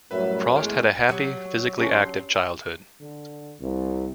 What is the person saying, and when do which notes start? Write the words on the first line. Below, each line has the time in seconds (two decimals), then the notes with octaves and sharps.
Frost had a happy, physically active childhood.
0.11 F#2 A2 F#3 G3 B4 E5
0.55 G1 E2 G#3 A3 F6 D7
1.09 F#3 G4
1.77 C#4 D4 G4
1.93 C6
3.01 D3
3.60 C2